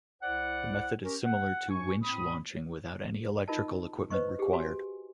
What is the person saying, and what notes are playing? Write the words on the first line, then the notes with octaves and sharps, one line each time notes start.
The method is similar to winch launching without any electrical equipment required.
C2 E4 C5 D5 F#5
C#4 G4 A#4
F#5
G2 G#5 C#6
A2 C4 B5 D#6
D#4 F4 A#4 D#5 A5
B4 C5 D#5 C#6
G4 G#4
F#4 G#5